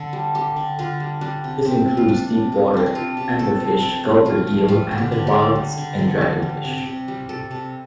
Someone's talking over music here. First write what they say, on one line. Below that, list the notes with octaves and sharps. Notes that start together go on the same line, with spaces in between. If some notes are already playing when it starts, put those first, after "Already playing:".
This includes deep-water anglerfish, gulper eel, amphipods and dragonfish.
Already playing: D3 A4
G3
G3 G4
D3
D3 F4
G3
G3 D4
C3
C3 C4
G3
F4
G3 D4
C3
C3
G3 C4
D4
C3 F4
C3
A3 A4
F3
C3 A4
C3
A3 F4
F3
G3 F4
D3
G4
D3
G4
G3
G3
D3
D3
G3
G3
C3
C3
G3
G3 A4
C3